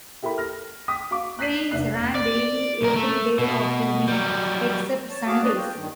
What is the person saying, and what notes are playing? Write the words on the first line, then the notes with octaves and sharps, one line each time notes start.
Trains ran daily every day of the week except Sundays.
E4 G4 A4 A#4 B5
F6 A#6
G5 D6 D#6 B6
F#4 F5 C#6 D6
F#6 G6 B6 C7 D#7 F#7
F1 D4 E5 F#6 C7
D5
B1 A#4
A3
B2
F#3 G3
C#5 A5
F#4 G#4 F5 A5 D6
C#4 D4 B4 D5 D#5
F4 G5
G2 D#3